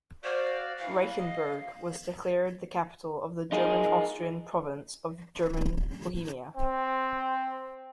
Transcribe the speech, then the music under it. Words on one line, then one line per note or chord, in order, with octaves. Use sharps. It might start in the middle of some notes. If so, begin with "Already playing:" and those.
Reichenberg was declared the capital of the German-Austrian province of German Bohemia.
F#4 C5 D5 F5
E3 F5
D#5
D2
D#4 F4 G#4 A#4
C4